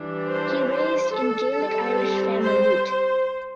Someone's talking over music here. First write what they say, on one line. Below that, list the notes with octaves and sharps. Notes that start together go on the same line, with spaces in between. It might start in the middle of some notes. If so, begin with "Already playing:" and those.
He raised in Gaelic Irish family root.
Already playing: E3 G3 D4
C5
C5
A4
G3 C4
C5
C5